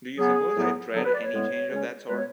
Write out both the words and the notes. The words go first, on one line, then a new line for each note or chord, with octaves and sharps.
Do you suppose I dread any change of that sort?
C#3 F#3 B3 G#4
A2 F#3 B3
D3 F#3 B3 A4
B4
D5
C#5
A2 G#3 B3
C#3 G#3 C#4
B2 G#3 B3 B4
C#5